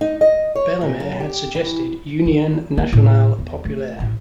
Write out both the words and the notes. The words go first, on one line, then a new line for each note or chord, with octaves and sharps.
Bellemare had suggested "Union Nationale Populaire".
D#4
D#5
C#5
A#2
F#2
G4
E3
E3
A#3
A2
E2
A3
A1